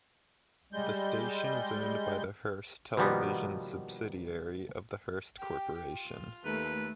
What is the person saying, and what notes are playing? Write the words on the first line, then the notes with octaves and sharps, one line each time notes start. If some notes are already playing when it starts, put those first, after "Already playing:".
The station is owned by the Hearst Television subsidiary of the Hearst Corporation.
G3 G#3 G6
B2 D#3 F3 G3 A#3 B3
G4 G5
F4
D#2 A3 B4